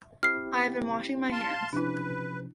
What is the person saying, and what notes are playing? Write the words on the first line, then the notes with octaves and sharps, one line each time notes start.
I have been washing my hands.
C4 E4 G4 F6 C7
F5 A5 C6
C3 F3 C#4 D4 E4 B4